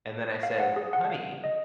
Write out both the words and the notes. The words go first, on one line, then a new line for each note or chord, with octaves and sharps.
and then I said, "Honey,
F5
F#5
G#4
F#5
F5
D#5